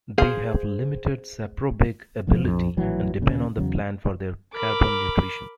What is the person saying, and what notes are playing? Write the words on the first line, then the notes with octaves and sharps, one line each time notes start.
They have limited saprobic ability and depend on the plant for their carbon nutrition.
G#4 C5 F5
D#1 B2 F3 B3
A#1 F2
A#1 A2 E3 F#3
D#2 A#2 C#3
E2 C#3 F#3
A#4 B5 D6